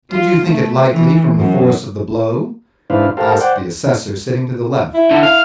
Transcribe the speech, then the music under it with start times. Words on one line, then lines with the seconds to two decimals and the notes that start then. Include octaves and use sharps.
Did you think it likely from the force of the blow?' asked the assessor sitting to the left.
0.12 F4
0.45 A3
0.90 E3
1.35 F#2
2.90 G#2 D4 E4 B4 C5 F5
3.17 G4 A4 A#4 C5 F5
3.41 C5 D5 F#5 G5
4.94 E4
5.11 D3
5.23 F5